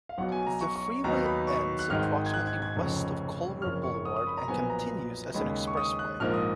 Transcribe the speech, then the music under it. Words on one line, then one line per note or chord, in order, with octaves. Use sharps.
The freeway ends approximately west of Culver Boulevard, and continues as an expressway.
F5
B1 B2 F#3 F#5
G#5
A#5
C#6
C#6
D#2 D#3 F#3 B3 D#4 A#5
B5
C#6
F#6
G#1 G#2 D#3 G#3 F6
G#6
F#6
G#6
G#6
F1 F2 C#3
F#1 F2 C#3 F6
C#6
D#6
D#6
B5
A#5
B1 A#2 F3 B3 G#5
A#5
D#2 C#3 G#3 B5
C#6
D#6
F#6
A#1 G#2 F3 A#3 D#4 F6
D#6